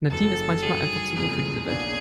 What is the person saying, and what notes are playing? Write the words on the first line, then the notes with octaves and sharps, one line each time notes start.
Nadine ist manchmal einfach zu gut für die Welt.
F#1 F#2 C#3 E3 A4
G2 D#3 F#3 G#4
G1 F2 C#3 E3 A3 G#4
B1 B2 F#3 A#3 D4 G#4